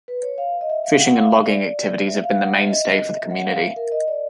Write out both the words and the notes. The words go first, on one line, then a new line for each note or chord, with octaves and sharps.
Fishing and logging activities have been the mainstay for the community.
B4
C#5
F5
D#5
E5
F5
F#5
F5
E5
D5
E5
F5
F#5
E5
D#5
D#5
D#5
E5
F#5
F5
E5
A#4
D#5
D5